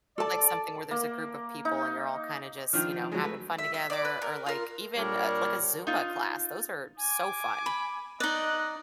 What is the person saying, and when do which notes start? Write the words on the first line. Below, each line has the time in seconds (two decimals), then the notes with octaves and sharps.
Like, something where there's a group of people and you're all kinda just, you know, having fun together or, like even, uh, like a Zumba class, those are so fun.
0.18 A4 D5 A5
0.91 A#3
1.65 D#4
2.73 D#3 F3 D4 F4 F6
3.12 F#3 G#3
3.24 A3 B4
3.59 E5
3.74 E5
3.90 D5 D6
4.05 B4
4.22 A#4
4.46 F4 A#4
4.97 A#2 G3 D4 A#4 C#5
5.87 D#4 F4
6.97 G#5 D6
7.66 B5
8.20 D#4 D5 D#5 F#6